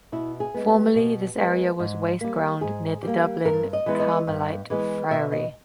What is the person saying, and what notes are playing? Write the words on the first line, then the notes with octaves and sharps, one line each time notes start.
Formerly this area was waste ground near the Dublin Carmelite Friary.
B2 E4
G#4
G#3 B3
G4
B2
B3
G#3
G#2
G3 A#3
G#2 G#4
G3 A#3
G2 A#4
D#5
E3 G#3 B3
D#5
G2
E3 G#3 B3
B2 E5
D#5